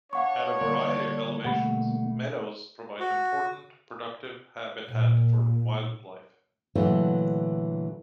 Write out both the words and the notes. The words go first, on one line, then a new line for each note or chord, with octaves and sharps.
At a variety of elevations, meadows provide important, productive habitat for wildlife.
D4 C#5 F5 F#5 C#6
D3 G3 A#3 D5
B2 A3 F#5 B5
F#4
A#2
A#2 D3 E3 F#3 A3